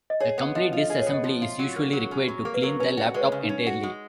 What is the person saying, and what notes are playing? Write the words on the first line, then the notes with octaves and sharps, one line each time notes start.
A complete disassembly is usually required to clean the laptop entirely.
D#5
G#4 C#5
B3
F3 D#5
F4 D#5
G#4 D#5
C#5
B3
D#5
F3
F4
F#3
A#3
F#3
C#4
F#3 F#4
A#3 G#4
B4
F#3 A#4
C#4 B4
F#4
G#3 B4
C#5
C#3
D#4
C#4
F#4
G#3